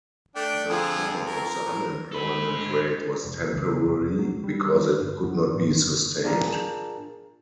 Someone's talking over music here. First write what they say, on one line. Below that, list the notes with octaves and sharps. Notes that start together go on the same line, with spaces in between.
The fall of the unemployment rate was temporary because it could not be sustained.
A3 D4 G5
F2 D3 F3 G#4
A#4
A2
G#3 A4 C5 B5
F1
C#2
F1
F#3
G3
G1
F#2
A1
D#2
F#1
D4 F4 G#4 A#4 A5 A#5